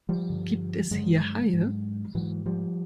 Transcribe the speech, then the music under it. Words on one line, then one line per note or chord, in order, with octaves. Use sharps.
Gibt es hier Haie?
F3 G3
G2 D3
G2 D3 F#3 G#3
G#2
G#2 E3 F#3
F3 G3